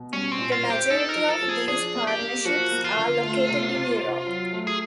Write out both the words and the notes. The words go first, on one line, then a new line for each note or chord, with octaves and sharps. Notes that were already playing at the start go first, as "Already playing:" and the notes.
The majority of these partnerships are located in Europe.
Already playing: B2
G3 C#4
C4
A#2
F4
C4
G4
D#4 A4
A#4
F3
A4
F3
G#4
D4 G#4
A#3
G4
A#3
F3 F#4
A#3
F4
D3
A3
C3
C3
C4
F#3
A3
G#4